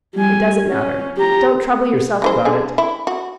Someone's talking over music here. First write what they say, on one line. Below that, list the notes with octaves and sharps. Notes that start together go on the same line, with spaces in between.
It doesn't matter; don't trouble yourself about it.
G3 G#5
C#4
G4 A#5
C#3 E3 C5
D3 G#4
E4
F#4